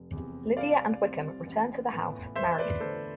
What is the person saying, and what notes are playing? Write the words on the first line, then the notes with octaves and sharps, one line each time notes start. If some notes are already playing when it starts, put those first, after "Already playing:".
Lydia and Wickham return to the house married.
Already playing: F1
E2 C3
C2 D5 F5
C3 G3 C4
A1
A2 E3 B3
E2 C5 E5
B4 D5
D3 A3 A4 C5